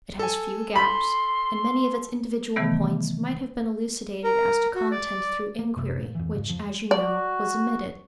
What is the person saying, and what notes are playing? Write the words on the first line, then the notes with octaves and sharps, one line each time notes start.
It has few gaps, and many of its individual points might have been elucidated as to content through inquiry, which, as you know, was omitted.
A4 G#5
B5 C6
C3 D#3 E3 G3 A3 B3
A#4
F#4
D5
A#3
F#2 C3
A#2
F2 E3
G#2 C#3
F2 F3
F#4 D5